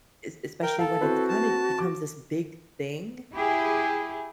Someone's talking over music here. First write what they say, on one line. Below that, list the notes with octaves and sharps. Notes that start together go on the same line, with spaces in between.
es especially when it's kinda becomes this big thing;
A#4 G5
A4 F5 A5
C4 E4 F#4 B4
A5
D6
E4 G4 G#4